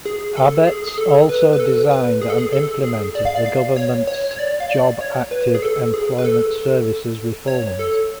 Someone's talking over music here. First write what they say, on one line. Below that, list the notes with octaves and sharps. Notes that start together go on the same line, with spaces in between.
Abetz also designed and implemented the Government's Jobactive Employment Services Reforms.
G#4
A4
G#4
G#4
A4
B4
B4
A4
B4
G#4
A4
G#4
A4
G#4
D5
F5
D5
F5
C#5
C#5
C#5
D5
F5
D5
C#5
B4
G#4
A4
G#4
B4
A4
C#5
A4